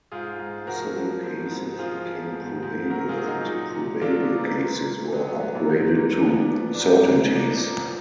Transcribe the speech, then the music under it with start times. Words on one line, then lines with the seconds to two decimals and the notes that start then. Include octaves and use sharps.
"Possible cases" became "probable", and "probable" cases were upgraded to certainties.
0.11 G#2 F4 G#4
0.39 G#2
0.67 F3 F#4 A#4
0.96 F3
1.23 G#2
1.51 G#2
1.78 F3 F4 G#4
2.06 F3
2.35 G#2
2.63 G#2
2.90 F#3 F#4 A#4
3.08 F4 G#4
3.17 F#3
3.27 D#4 F#4
3.46 A#2
3.74 A#2
4.01 F#3 D4 F4
4.21 B3
4.29 F#3
4.39 A#3
4.57 A#2
4.85 A#2
5.13 F#3 B3
5.27 B3
5.40 F#3 B3
5.55 A#3
5.69 A#2 B3
5.96 A#2 A#3
6.18 D4
6.25 F3 B3
6.52 F3
6.75 D4
6.80 G#2 B3
7.08 G#2
7.35 F3 A#3 D4
7.63 F3